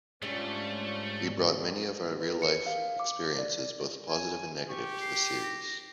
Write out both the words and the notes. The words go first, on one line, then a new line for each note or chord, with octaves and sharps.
We brought many of our real-life experiences, both positive and negative, to the series.
G#2 G3 A3 C#4 D4 F4
B4
C#7
F5
D6
D5
G#5
G4 C#6
C7
A#6